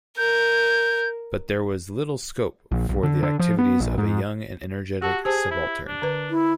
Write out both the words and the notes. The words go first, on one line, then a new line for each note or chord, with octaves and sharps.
But there was little scope for the activities of a young and energetic subaltern.
A#4 G6
A#1
B1
D3
D3
F3
B3
A#1
G#2
F#4 G4 A5
G4 G#4 C5 A5
E4
D4
D3 B4
E4